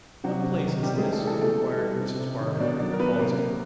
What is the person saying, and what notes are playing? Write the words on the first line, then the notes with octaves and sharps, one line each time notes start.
'What place is this?' inquired Mrs. Bardell, pausing.
C3 F#3 F#4
C3
D#3
C3 G3 G4
C3 G#3 G#4
A3 A4
E3
A3 A4
B2 A3 A4
G3
G3
C3
C3
D#3
B2 D4 D5
F#3 D4 D5
A#4
F#3 B3 B4
C3 A#3 A#4
C3